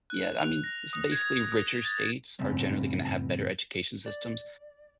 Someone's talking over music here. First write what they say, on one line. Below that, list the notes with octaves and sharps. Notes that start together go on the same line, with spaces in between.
Yeah, I mean, it's basically richer states are generally gonna have better education systems.
F#6
F7
A#6
D#6
G#6
D#6
E7
A6
F#2 A2 C#3 G3 C4 C#4
D5